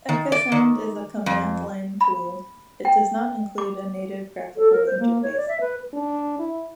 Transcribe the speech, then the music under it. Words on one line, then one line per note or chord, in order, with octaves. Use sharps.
Ecasound is a command-line tool: it does not include a native graphical interface.
D#3
D5
D#3
F2
B5
G5
D6
A4
A#4
C5
A#3
C#5
D5
E5
B4
D4
E4